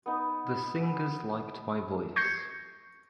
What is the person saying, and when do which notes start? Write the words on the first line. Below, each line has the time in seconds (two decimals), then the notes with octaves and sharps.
The singers liked my voice.
0.06 B3 D#4
2.16 C#6 G6 G#6 A#6 C7 C#7